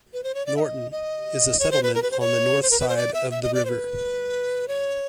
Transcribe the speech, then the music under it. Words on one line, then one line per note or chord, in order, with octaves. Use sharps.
'Norton' is a settlement on the north side of the river.
B4
C5
C#5
D5
E5
D#5
D#5
C#5
C5
B4
A#4
B4
C5
C#5
C5
A#4
B4
C5
D5
E5
E5
D#5
D5
C5
B4
C#5